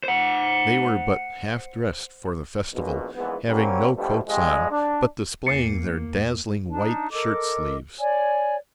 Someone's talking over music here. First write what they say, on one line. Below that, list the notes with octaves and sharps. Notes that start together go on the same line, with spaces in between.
They were but half dressed for the festival, having no coats on, but displaying their dazzling white shirt-sleeves.
C5 F#5
A#1 G#2 B2
A#1 G#2 E3 B3
F#3 G3 A#3 C4 C#4
D2 G2 B2 F3 G3 A3
F2 G3 G#3
D4
E2 A#3 A6 C7 C#7
D4 D#4 A5
A4 A#4 D#5 D6
C#5 D5 G#5